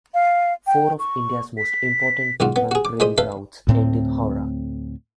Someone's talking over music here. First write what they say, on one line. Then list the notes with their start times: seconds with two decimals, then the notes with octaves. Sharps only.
Four of India's most important trunk rail routes end in Howrah.
0.14 F5
0.67 G5
0.99 C#6
1.58 B6
2.40 B1 G#2 F4 F#4
2.56 B3
2.71 F#4 G#4
2.85 D6
3.00 A#2 G#3 C5 B5 D#6
3.18 A4 B4 E5 F5
3.67 D2 A2 A3 C4